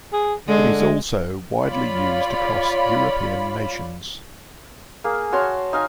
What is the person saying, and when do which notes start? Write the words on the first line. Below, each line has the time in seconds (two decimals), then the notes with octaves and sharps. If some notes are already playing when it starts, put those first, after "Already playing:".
It is also widely used across European nations.
0.12 G#4
0.48 D3 G#3
1.65 F4 C#5 D5 B5
5.04 A#3 G#4
5.32 F#4 C#5 A5 C6
5.73 D#4 F5 G#5